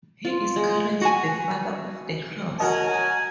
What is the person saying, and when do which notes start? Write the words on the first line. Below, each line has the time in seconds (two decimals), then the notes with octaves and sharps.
He is currently the Father of the House.
0.25 F4
0.56 G#3
1.01 F#4 G#5
2.60 F#4 A#4 C#5 D#5 F#5 G#5